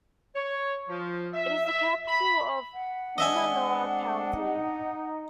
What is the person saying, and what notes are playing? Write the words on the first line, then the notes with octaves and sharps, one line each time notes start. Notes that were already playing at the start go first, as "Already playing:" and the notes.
It is the capital of Limanowa County.
C#5
F3
E5
E5
B5
F#5
G#3 C4 D4 D#5 E5 G#5
D#4